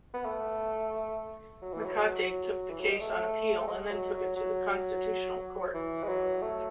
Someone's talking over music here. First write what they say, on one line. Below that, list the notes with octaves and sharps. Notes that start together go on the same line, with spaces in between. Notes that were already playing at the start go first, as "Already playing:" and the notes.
Makate took the case on appeal, and then took it to the Constitutional Court.
B3
A3
F#3
E3
F#3
E3
F#3
G#3
A3
A3
G#3
F#3
F#3
F#3
E3
G#3
F#3
A3